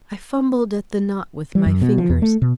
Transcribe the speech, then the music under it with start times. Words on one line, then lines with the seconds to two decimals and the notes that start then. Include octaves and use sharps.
I fumbled at the knot with my fingers.
1.55 G3
1.66 F#2
1.81 B2
1.98 F3
2.10 E2
2.22 A3
2.42 B2